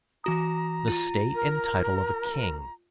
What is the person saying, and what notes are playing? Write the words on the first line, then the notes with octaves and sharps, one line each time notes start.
The state and title of a king.
E3 F#4 A#5 D#6
F4
A#4